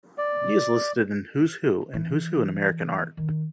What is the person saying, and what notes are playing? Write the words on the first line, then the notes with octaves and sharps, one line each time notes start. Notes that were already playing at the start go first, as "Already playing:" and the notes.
He is listed in "Who's Who" and "Who's Who in American Art".
D5
E3
D#3